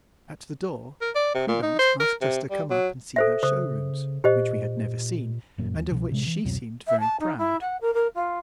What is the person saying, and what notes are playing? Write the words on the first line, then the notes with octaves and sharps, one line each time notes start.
At the door, Prudence asked us to come up and see her showrooms, which we had never seen, and of which she seemed very proud.
A#4
D5
C3
A#2
D#4
C5
A#4
C3
G3
F#3
A4 C5 E5
C#3 C5 D#6
A#2 G4 C5 D#5
G1 F#2 A#2
D#2
C2 B2 D3 F3
A1 C3 G#3
E3
C2 F2 B2 F#3
E5
A5
D#4
E4
F#5
A#4
A#4
F4